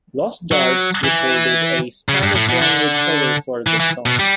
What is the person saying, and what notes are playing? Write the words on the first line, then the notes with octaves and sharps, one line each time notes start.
Los Darts recorded a Spanish-language cover for this song.
F#3
E3
C#3
G2
A2
B2
D3
E3
E3
B2
G3